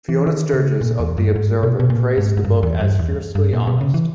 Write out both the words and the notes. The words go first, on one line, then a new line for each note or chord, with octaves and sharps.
Fiona Sturges of "The Observer" praised the book as "fiercely honest".
E3
D#3
C#3
A#2
E2
G2
G#2
B2
B2
A#2
G#2
G#2
G2
E2
G2
E2
G2
A#2
B2
C#3
E3